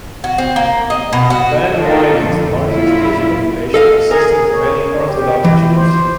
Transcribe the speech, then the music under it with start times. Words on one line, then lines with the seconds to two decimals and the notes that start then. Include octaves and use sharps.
Penn Wynne has a large Jewish population consisting of many Orthodox Jews.
0.24 F#4
0.38 C4
0.56 A#3
0.90 D#5
1.13 B2
1.30 F#4
1.74 D4 D#4 F4 A4
2.24 F2 A#2 D3
2.69 A#2 F#3 E4 F4
3.74 A4 D#5 F5
4.11 G#4 A#4
4.52 C#5
5.09 G4
5.45 E3
5.76 C5